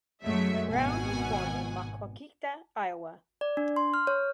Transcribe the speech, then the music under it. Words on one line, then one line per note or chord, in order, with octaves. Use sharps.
Brown was born in Maquoketa, Iowa.
F#2 F#3 G#3 A3 E5
G#1 B2 F#5 G#5
D5
D4
C6
F6
C#5